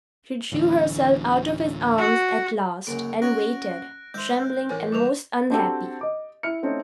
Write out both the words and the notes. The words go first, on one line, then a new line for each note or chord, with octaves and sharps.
She drew herself out of his arms at last and waited, trembling and most unhappy.
D1 A1 D3
F#4
C#2 F#2 C#3 A#3 D7
C#4 F#4 C#5 F#6 A#6
D#3 G#3 C5 E5 G6
A1 A#4 C#5 G#5
G3 B4 D6 F7
C4 D4 F#4 G4 A4
D#5 D6
E4 F6 C#7
A3 C4 C#4 D#4